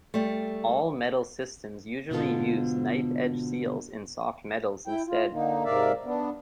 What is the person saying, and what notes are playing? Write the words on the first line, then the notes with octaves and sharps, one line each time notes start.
All metal systems usually use knife-edge seals in soft metals instead.
G3 A3
G#2 B2 D3 B3 F4 A4
E4 G5
F4
D3 A#3 D#4
G#2 C3 A#4 D5 E5 F5
B3 D4